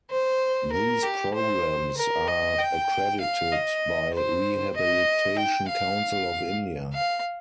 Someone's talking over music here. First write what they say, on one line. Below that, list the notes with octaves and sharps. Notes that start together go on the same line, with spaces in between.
These programs are accredited by Rehabilitation council of India.
C5
A#4
G4
C5
A#4
D#5
G5
F5
D#5
C5
D#5
G5
F5
F5